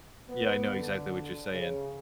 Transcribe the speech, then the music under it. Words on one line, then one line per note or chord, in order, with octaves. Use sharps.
Yeah, I know exactly what you're saying.
B3
D3
C#3